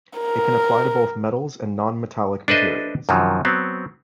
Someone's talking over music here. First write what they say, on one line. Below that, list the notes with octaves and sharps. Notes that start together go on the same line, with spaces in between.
It can apply to both metals and non-metallic materials.
A#4
D4 A4 B4 C5 D#5 E5
F#2 C3 D#3 F3 F#3
F#3 B3 C4